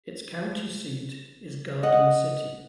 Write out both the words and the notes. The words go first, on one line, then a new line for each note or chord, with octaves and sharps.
Its county seat is Garden City.
D#5 F#5